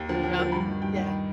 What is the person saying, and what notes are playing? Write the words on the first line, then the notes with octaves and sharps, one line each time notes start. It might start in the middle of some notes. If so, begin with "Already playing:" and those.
Yep, yeah.
Already playing: D#2
D3 F3
D#2
D3 F3
G2 B5
D#3
G2 G5
D#3